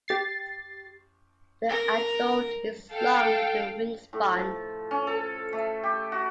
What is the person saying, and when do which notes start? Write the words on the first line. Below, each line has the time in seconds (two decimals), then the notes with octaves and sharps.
The adult is long with a wingspan.
0.08 G4 A6 C7
1.69 A#4
2.91 A4 F5 G5
4.13 A2
4.32 F3
4.91 C#4
5.07 A4
5.53 A3
5.83 G4
6.12 F#4